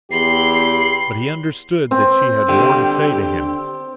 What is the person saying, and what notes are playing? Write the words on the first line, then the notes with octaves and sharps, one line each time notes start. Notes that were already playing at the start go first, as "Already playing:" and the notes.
But he understood that she had more to say to him.
E2 G4 B5 C6 C7
C4
D3 G4